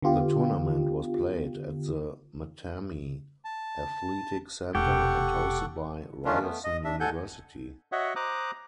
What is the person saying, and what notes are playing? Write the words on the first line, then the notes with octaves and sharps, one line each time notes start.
The tournament was played at the Mattamy Athletic Centre and hosted by Ryerson University.
D3 B3 F4 G4
A5
E1 C3 G4 A4 F#5 C#6
D#3 F3 A3 C#4 D4 F4
A3 B3
D#5
D4 E5
G#2 A4 F#5 G#5 G6
F#4 C#5 D#5 E5 F#5
C5 A#5 D6 D#6 F#6